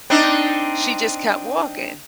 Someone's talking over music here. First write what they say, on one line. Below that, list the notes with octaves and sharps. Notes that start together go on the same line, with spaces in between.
she just kept walking,
C4 D4 D#4